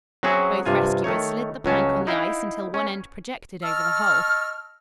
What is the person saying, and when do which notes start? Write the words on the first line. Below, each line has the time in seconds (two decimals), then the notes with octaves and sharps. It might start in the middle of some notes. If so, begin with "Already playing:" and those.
Both rescuers slid the plank on the ice until one end projected over the hole.
0.23 F#3 C4 C#4 F#4 G#4 E5
0.66 G2 C3 F4 G#5
1.04 D#3 A3 D#4 C#5
1.64 C#2 F#3 C#4 A5
2.07 D#4 E4 F5 G5
2.74 C#4
3.64 D#5 A5 C#6 E6 F6